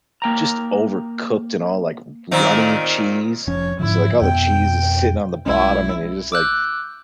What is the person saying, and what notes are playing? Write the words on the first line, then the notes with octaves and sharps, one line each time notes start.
just overcooked and all, like, runny cheese, so, like, all the cheese is sitting on the bottom, and you're just like,
A#3 G5 A#5
A#2 D#3 C4
F1 F3 C#4 C#5
G#2 D3 F3 E4
F2 B2 B3 G5
B1 G#3 C#4 E4
D6 E6 F#6 G6